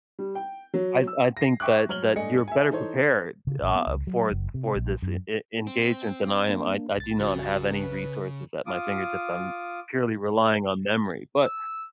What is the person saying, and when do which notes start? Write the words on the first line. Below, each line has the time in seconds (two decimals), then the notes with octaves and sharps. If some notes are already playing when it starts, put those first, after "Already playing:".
I I think that that you're better prepared, uh, for for this e engagement than I am. I I do not have any resources at my fingertips. I'm purely relying on memory. But
0.19 G3
0.35 G5
0.74 F#3
1.07 E6
1.37 A#6 C7
1.60 E5 G5 C#6 D6 F#6
1.89 F#3 C#5 F6 F#7 G7
2.16 G2 A3 D4 D#5 G#5 C#7
2.48 E5 G#5
2.71 E3 D#4 A4 C5 C#5
3.47 C#3
3.62 A1
3.75 B3
3.87 C#2
4.07 F#3
4.31 F#1
4.54 C3
4.75 A#1
5.02 F#2
5.67 C4
6.49 A#3 D4
6.96 B1 A6
7.20 C#3 F#4
7.71 B4
8.66 F4 D6 D#6
11.42 E6